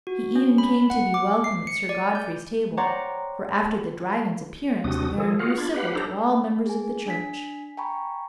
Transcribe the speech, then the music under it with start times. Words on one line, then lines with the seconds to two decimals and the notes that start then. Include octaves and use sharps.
He even came to be welcome at Sir Godfrey's table; for after the Dragon's appearance, the Baron grew civil to all members of the Church.
0.07 F#4
0.36 C#4
0.58 B5
0.90 F#5
1.14 D6
1.44 C7
1.67 C#7
1.89 D5
2.15 G6
2.77 C#5 D5 F#5 G5 A#5 C6
4.84 D#2 C3 C4 D4 F#4 D#6
5.18 D#3 F3 G#4 A4
5.39 F4 F#4 G#4 A#4 F5 F#5
5.57 D4 F4 B5 G#6 A6
5.74 G4 B4 F5 F#5 B5
5.95 D4 D#4 G4 A4 C5 A#5
6.66 G#4 G#5
7.06 D4 G#5 B6
7.77 G5 G#5 A#5 B5 C#6